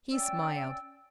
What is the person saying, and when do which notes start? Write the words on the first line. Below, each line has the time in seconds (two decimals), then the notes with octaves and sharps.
He smiled.
0.11 C#4 D5 G5 E6